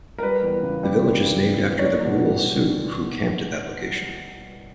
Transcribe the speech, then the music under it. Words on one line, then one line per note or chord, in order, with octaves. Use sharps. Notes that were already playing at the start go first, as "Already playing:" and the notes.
The village is named after the Brule Sioux, who camped at that location.
A#4
G3 B4
E2
C#3
G3
C#3
G3
E3
E3
C#5
A#3 D5
B2
G3